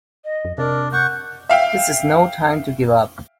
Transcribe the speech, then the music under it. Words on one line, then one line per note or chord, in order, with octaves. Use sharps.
This is no time to give up!
D#5
F2
C3 D4 A#4
F#5 C#6 G6
E5 F5 G5